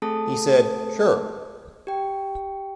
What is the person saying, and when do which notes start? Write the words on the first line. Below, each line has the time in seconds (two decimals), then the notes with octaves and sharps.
He said, 'Sure.
0.02 A3 C4 G#4 A4 A5 D#6
1.87 G4 G5